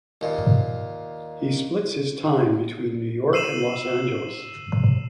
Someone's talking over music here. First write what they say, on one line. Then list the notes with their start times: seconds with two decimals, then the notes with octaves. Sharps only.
He splits his time between New York and Los Angeles.
0.21 D#2 A#2
3.33 E6 C7 D#7 E7 F#7